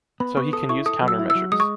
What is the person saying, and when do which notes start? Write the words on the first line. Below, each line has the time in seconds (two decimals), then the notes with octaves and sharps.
So he can use counter measures.
0.20 B3 B5
0.37 B3 C#6
0.53 A4 D#6
0.69 E4 C#6
0.86 A4 D#6
1.02 F#3
1.08 E6
1.19 E4
1.30 E6
1.35 F#3
1.52 G#3 D#6
1.60 C#6